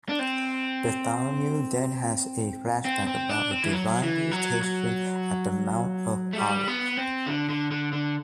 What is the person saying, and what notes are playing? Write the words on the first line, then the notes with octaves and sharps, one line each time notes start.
Bartholomew then has a flashback about a divine visitation at the Mount of Olives.
D4
C4
C4
C4
D4
C4
E3
F#3
E3
F#3
F#3
A3
G3
B3
C4
D3
D3
D3
D3